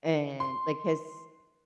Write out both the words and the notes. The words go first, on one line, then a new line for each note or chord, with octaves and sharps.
And, like, his
C6